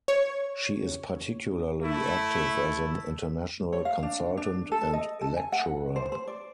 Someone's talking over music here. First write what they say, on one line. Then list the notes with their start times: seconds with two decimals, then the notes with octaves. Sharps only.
She is particularly active as an international consultant and lecturer.
0.08 C#5
1.83 A3 E4
3.73 C#5
3.85 F5
4.03 D4
4.37 D4
4.72 A4
4.93 D#5
5.22 A4
5.37 G#5
5.52 F#5
5.96 C5
6.12 C5
6.27 D5